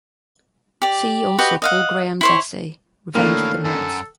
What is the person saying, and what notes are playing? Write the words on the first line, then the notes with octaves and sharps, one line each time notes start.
See also Paul Graham's essay "Revenge of the Nerds".
G4 D5
F#4 G4 B4 D#5
D#5 F5 F#5
E4 C5 C#5
A2 D3 D#3 A#3 C#4 F4 F5
F#2 A4